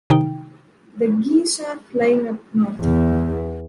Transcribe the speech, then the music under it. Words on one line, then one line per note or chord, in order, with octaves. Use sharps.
The geese are flying up north.
C3 D#3 D#4 G5
E2